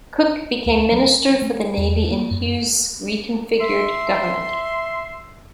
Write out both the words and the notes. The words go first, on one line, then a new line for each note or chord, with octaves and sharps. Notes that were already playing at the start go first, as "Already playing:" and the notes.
Cook became Minister for the Navy in Hughes' reconfigured government.
D2
F#3
A3
E2
A#3
F#2
E5 C6